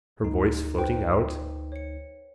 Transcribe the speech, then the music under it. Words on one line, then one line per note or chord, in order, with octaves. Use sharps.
Her voice floating out.
D2 D#4
B4 C5 G5
C#5 C#7